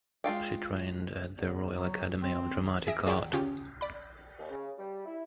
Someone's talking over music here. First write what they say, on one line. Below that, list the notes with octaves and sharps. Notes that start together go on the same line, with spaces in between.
She trained at the Royal Academy of Dramatic Art.
G#3 F4 F5 G5
E2
F#3
C4
G#4 E5 A#6 D7
F4 G#4 D5 E5 F#5 G5
C#3 C#4 F4 G4
D5 B5
D#2
C#3
G3
E4